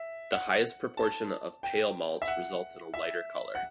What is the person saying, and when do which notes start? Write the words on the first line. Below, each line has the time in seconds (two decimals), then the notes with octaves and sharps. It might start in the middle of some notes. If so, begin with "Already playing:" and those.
The highest proportion of pale malts results in a lighter color.
Already playing: E5
0.32 F#5
0.97 A5
1.63 G5
2.22 E5
2.28 F#5
2.94 E5
3.55 F#5